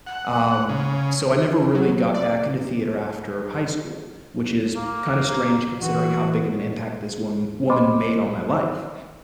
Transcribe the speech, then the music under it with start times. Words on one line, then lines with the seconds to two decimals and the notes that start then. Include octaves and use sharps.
Um, so I never really got back into theater after high school, which is kinda strange considering how big of an impact this one woman made on my life.
0.07 F#5
0.69 C#3
1.75 F#3
2.14 D5
4.76 A#3
5.81 E3 F#4
7.70 C5 D#5 B5 C6 D6